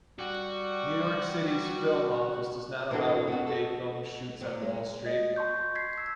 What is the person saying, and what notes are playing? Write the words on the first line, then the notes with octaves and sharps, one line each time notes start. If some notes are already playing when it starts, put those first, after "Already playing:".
New York City's film office does not allow weekday film shoots on Wall Street.
G3 F#4
E3 A#3 C4 D4 F#4 A4
B3 F#4
A4
C3 F#3
G#3
D#5
A5 C6 C#6 G6
G#6 B6 C7
E6